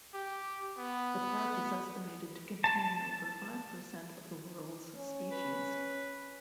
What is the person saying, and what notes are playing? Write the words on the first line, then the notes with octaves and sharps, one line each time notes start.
The park is estimated to contain over five percent of the world's species.
G4
B3
A5
C#4
B4